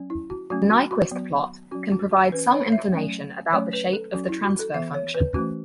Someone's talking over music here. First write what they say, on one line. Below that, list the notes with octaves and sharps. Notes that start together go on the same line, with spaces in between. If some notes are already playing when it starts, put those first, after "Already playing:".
The Nyquist plot can provide some information about the shape of the transfer function.
Already playing: F#3 C#4
E4
F#4
F#3 A3 C#4 F#4
F#4
F#4
F#3 B3
F#3 C#4 F#4
F#4
F#4
E3 C#4 B4
C#5
E5
F#3 A3 C#4
F#3 A3 C#4 C#5
B4
A4
F#3 C#4 F#4
E4
F#4
A4
E3 B3 E5
C#5
B4
E3 A3 C#4 F#4